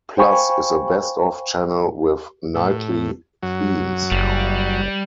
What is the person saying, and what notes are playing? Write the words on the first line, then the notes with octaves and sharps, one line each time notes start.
Plus is a "best of" channel with nightly themes.
C5 F5 G5 G#5 B5 C#6
A2
F#2 F#3
F#1 G3